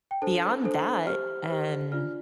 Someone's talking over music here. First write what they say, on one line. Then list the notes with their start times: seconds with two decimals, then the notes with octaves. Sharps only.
beyond that, um,
0.11 G5
0.22 D4 A4 C5 A5
0.64 D4 A4 C5
1.06 G4 C5 F6
1.50 G4 C5
1.92 D4 F4 D5 F6